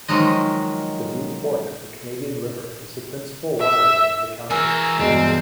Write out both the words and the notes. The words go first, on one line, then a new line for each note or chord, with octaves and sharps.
The Deep Fork of the Canadian River is the principal waterway in the county.
D#3 F3 F#3 G#3 D#5
E5
E3 F#4 G#4 A#4 E5
E2 G2 B2 G#3 C4